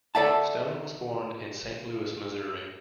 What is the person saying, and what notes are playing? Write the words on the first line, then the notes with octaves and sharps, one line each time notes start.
Stone was born in Saint Louis, Missouri.
A4 D5 E5 F#5 A5